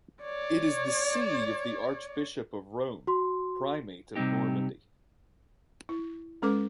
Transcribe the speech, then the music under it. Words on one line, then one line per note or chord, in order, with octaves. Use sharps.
It is the see of the Archbishop of Rouen, Primate of Normandy.
C#5 D5
F#4 C6
C3 G3 A#3 C4 D#4 G4
E4
G#3 C#4 A4 B4 D6